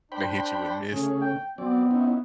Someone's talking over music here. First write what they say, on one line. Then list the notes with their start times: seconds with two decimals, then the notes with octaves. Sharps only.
They hit you and miss.
0.12 D4 C5 G5 B5
0.93 C#3 A3 C#4 G#4
1.22 G5
1.58 F#3 B3 C4 D5
1.91 C#4 D#4 E4